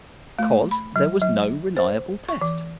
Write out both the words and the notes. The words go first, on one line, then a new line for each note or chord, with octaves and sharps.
Because there was no reliable test.
A3
B5
F#3
F#3
C5
C#6
E3